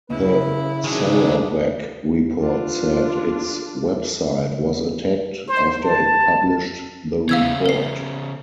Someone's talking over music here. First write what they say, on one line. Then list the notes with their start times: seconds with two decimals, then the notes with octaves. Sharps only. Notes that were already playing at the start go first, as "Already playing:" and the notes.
The "Sarawak Report" said its website was attacked after it published the report.
0.10 C#3 E4 B4
0.84 D#3 F#3 D4 G#4
2.41 D4 F4
5.48 C5
5.83 A5
7.29 C#3 B3 F5 E6 G#6
7.66 B4 C7